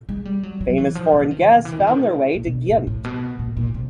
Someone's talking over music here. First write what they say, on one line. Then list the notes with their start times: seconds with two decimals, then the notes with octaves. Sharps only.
Famous foreign guests found their way to Ghent.
0.09 G#3
0.25 G3
0.43 F#3
0.61 F#3
0.78 E3
0.95 F3
1.13 E3
1.31 D#3
1.65 E3
1.72 D#3
1.80 D3
1.87 D#3
2.00 A2
2.35 A#2
2.46 B2
2.69 A2
2.87 A2
3.04 B2
3.39 A#2
3.57 A#2
3.74 C3